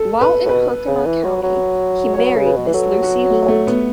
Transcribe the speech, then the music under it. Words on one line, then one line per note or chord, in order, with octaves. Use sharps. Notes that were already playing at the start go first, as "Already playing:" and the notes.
While in Herkimer County, he married Miss Lucy Hult.
Already playing: A4
B4
A2
B2 B4
C#3
E3
F#3
F#3
C#5
F#3 B4
C#3
B4
B2
E3
F#3 A4
F#4
A3
A3
B3